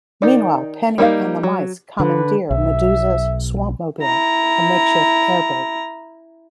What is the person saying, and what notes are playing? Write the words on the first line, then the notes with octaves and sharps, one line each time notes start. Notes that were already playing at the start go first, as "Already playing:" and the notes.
Meanwhile, Penny and the mice commandeer Medusa's swamp-mobile, a makeshift airboat.
D#3 D#4 D5
G3 A#3 D#4 F5
F#3
D3 B4
B1 E5
E4 A#5